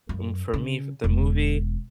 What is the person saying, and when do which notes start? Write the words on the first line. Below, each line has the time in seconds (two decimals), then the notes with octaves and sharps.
m for me f the movie,
0.09 F#2
0.54 C#3
1.04 E1